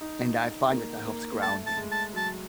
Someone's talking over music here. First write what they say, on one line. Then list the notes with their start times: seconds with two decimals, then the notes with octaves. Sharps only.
And I find that that helps ground me.
0.01 D#4
0.71 A#3
1.06 A#3
1.32 A#3
1.42 A3 A5
1.66 A5
1.77 G#3
1.91 A5
2.13 F#3 A5